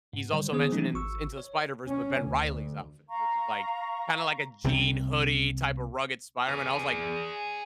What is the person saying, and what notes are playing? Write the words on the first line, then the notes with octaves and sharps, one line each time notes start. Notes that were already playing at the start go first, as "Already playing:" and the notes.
he's also mentioned in s into the Spider-Verse, but Ben Reilly's outfit, which is, like, kinda like, a jean, hoodie type of rugged Spider-Man, I was like
G#2
D3 G3 C5
D#3 A#3 B3 G#4 C5 D#6
E3 F#3 A3 C#4 D#4
G#1 C#6 E6
C#5
C#4
D2
F5 A#5 C#6
C2 C3 G3 C4
G#4 D5